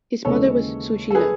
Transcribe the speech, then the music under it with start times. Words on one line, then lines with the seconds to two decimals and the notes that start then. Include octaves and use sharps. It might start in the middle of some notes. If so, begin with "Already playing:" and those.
His mother was Sushila.
0.25 D#2 C#3 E3 G#3 C#4 A4 C#5
1.11 A4
1.15 G#4 B4